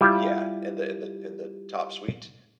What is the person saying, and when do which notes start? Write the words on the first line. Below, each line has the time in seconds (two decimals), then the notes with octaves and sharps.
Yeah, in the in the in the top suite,
0.01 G3 E4 F4 G4 E5